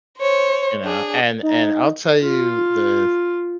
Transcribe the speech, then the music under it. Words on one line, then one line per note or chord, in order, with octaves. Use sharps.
you know, and and I'll tell you the
C5 C#5
D4 G#4
D#4
F4